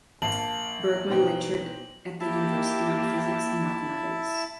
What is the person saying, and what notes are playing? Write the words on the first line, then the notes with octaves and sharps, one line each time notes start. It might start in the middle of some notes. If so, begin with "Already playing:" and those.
Bergman lectured at the university on physics and mathematics.
A#1 A#3 A5 C7 F#7
B2 E3 F#3 D#4 C5 G5
A#3 E4 G4 E5 A5